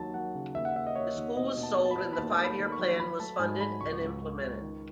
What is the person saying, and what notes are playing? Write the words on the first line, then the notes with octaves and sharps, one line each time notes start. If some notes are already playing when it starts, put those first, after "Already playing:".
The school was sold and the five-year plan was funded and implemented.
Already playing: D#2 D#3 F#3 A5
F#3 F#5
C#3
D#2 E5
F#5
D#2 E5
D#5
D#2 C#5
D#2
B2 D#5
B2
A5
B2
A5
B5
B2
B5
D#2 A5
A3 A5
B5
D#3
B5
C#6
F#3
F#3 B5
A3 A5
G#2 G#5
F#3 B5
C#2 C#6
C#2
C#2
C#2
D#3